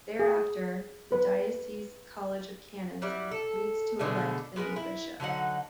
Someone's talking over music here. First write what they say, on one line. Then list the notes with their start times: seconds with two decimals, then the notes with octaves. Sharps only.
Thereafter, the diocese's College of Canons meets to 'elect' the new bishop.
0.19 G#4
1.12 B4
3.02 F#3 G3 E4 D5
3.31 A4
3.99 B2 D3 G#3 A3
4.56 G#3 B3 A#4 B4
4.76 E4
5.20 D3 F#3 D#4 F#5